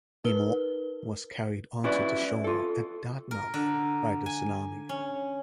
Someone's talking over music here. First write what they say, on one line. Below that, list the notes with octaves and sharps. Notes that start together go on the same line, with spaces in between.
"Imo" was carried onto the shore at Dartmouth by the tsunami.
D#4 A#4 B4 G7
C#4 E4 F#4 G4 B4 D5
F4 A4
A#4
D3
G#5
C#4